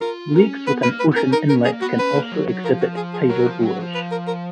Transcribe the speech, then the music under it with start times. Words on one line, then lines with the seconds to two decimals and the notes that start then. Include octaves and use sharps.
Lakes with an ocean inlet can also exhibit tidal bores.
0.01 F4 A#4
0.34 C#4 A#4
0.67 B3 B4
0.83 A#3 B4
1.00 B4
1.12 B3
1.16 C#4 A#4
1.32 D#4 A#4
1.49 C#4 A#4
1.65 A#3 G#4
1.81 B3 F#4
1.99 C#4 B4
2.15 A#3
2.32 F#3
2.48 F#3
2.64 F3 A#4
2.81 F#4
2.96 G#4
3.14 G#4
3.29 F#3 A#4
3.46 F3
3.62 F#3
3.79 F3
3.95 B4
4.12 A#4
4.27 A#4